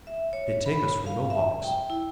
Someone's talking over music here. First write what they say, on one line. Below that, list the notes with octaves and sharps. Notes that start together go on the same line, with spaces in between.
They take us for Mohawks.
E5
C#5
B5
F5
E5
G5
E4